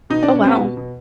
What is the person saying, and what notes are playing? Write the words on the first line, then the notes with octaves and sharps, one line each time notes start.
Oh wow.
B2 D#4
B2 D4
C#4
G3 B3 C4
B2
B2